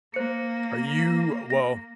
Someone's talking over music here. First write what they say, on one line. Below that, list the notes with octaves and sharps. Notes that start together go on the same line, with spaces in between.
Are you well,
A#3 C5 C#7
A#6